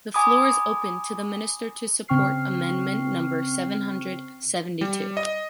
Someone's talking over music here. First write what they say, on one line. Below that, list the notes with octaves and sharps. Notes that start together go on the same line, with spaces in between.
The floor is open to the Minister to support amendment number seven hundred seventy-two.
G#5 B5 D6 D#6
C#3 C4 G5 C#6 F6 C7
G3
D#5